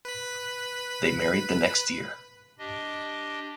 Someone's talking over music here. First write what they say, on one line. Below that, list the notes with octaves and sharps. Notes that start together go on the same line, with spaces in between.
They married the next year.
B4 B5
D4 G4 D#5